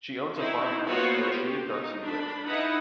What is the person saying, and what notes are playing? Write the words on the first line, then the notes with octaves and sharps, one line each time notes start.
She owns a farm house where she and Darcy live.
C4 D#4 E4 C5
A#3 B3 F4 F#4 C5 C#5
G4
D#4
D4 B5
D#4 E4 B4 D#5 F#5 B5